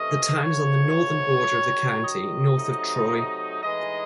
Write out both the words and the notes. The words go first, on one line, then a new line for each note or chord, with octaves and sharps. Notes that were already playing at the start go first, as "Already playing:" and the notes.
The town is on the northern border of the county, north of Troy.
Already playing: C3 E3 A3 C#4 D#5
G#2 F#3 A3 C#5
F#2 D#3 F#3
D#5
C3 F#3 A3 D#4
A2 E3 G#3 D#4 D#5